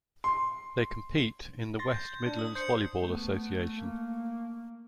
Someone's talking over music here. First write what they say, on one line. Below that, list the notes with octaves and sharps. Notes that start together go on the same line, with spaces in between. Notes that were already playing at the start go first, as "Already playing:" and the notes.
They compete in the West Midlands Volleyball Association.
C6
C6 A6 A#6
G6
D4
D#6
C5 G6 C7 C#7
A3 B3
A#3